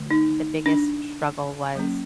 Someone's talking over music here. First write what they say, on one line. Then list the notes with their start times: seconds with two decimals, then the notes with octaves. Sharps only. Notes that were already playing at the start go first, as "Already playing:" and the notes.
m the biggest struggle was
Already playing: D3 A3
0.11 D#4
0.66 D4
1.75 F#3 A#3 C#4